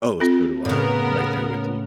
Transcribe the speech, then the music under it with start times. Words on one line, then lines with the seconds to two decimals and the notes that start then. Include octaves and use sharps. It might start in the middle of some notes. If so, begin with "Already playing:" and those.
Oh, so do I, right there with you.
0.20 C4 F4 A4
0.65 A2 C#3 B3 A#4